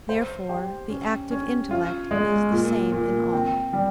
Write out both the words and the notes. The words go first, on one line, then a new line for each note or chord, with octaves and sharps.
Therefore the active intellect is the same in all.
C5
G4
C#4
C#4
F4
G#3
A#2
A#2
C4
G3